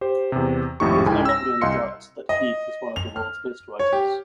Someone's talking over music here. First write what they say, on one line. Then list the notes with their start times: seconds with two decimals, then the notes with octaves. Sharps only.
There's no longer any doubt that Heath is one of the world's best writers.
0.01 G4 C5
0.32 E2 C3
0.80 G#1 F2 A2 D#4 G4 C#6
1.06 C#2 G#2 E4 G5 G#5
1.25 E6 A#6
1.61 C2 D#5 F5 C6 C#7
2.29 D#5
2.96 F7
3.16 F6
3.79 C#5
3.93 G4